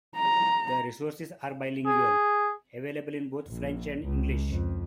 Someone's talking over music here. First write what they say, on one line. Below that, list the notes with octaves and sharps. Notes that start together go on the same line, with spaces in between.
The resources are bilingual; available in both French and English.
A#5
G#4
A#1
C#2
F2